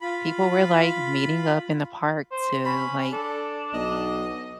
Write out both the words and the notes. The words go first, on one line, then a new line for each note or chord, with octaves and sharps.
people were, like, meeting up in the park to, like,
F4 B5
C5
C#4 B5
D4 A4
B1 D#5